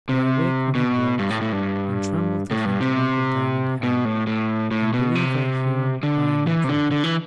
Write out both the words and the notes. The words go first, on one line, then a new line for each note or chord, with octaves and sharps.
'But I wake when it blows, and tremble to think of Uncle Dan and Ham and believe I hear 'em crying out for help.
C3
B2
G2
A2
A2
G2
A2
G2
C3
B2
A2
A2
A2
B2
C3
D3
E3
C3
D3
D3
E3